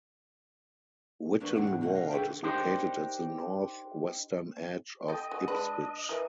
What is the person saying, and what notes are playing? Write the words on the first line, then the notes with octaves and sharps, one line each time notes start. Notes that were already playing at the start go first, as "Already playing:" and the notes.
Whitton Ward is located at the north western edge of Ipswich.
F2 A#3 D4 B4 C#5
D2 D#3 D4 F#5
A2
E2 B2 F#5
D#5 F5
D3 C#4 G#4 B4 G5
D4 D#4 G4 A#4 C5
A4 D#5 G5
F#3 G#5
G#3 D4 B4
E3 A#4